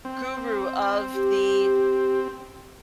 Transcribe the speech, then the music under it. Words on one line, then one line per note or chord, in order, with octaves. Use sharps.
guru of the
C4
G4